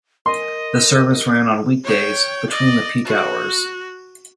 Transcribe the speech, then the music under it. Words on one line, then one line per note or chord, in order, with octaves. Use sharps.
The service ran on weekdays between the peak hours.
A#4 D#5 C6
C#5 G5
D5 D#5
F#4